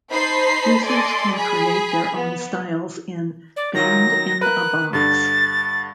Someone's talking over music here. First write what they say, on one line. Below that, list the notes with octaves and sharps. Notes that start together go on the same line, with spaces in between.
Users can create their own styles in Band-in-a-Box.
D#4 C5 A5 B5 C7
A4 D5 D#5 G#5 C6
G#4 B5
B3
D5
D#3 F#3 F4 A#6
A#4 B4 F#6
G2 D3 A6